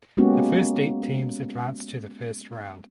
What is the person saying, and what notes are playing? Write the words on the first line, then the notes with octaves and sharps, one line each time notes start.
The first eight teams advanced to the first round.
G#3 A#3 B3 C#4 F#4 G4